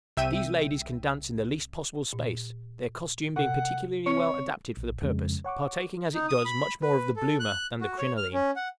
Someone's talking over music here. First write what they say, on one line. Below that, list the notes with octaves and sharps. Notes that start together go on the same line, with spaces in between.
These ladies can dance in the least possible space, their costume being particularly well adapted for the purpose, partaking as it does much more of the "Bloomer" than the "crinoline."
C2 E5 G5 D#7
A#2
C3 F#5
C4 C#5
A#1
F2 C#3 G#3
C#5 F#5 C#6 D6
D#4
D#6
B5
B4
A4
F#6
F#4
C#5
F6
C#4
F#5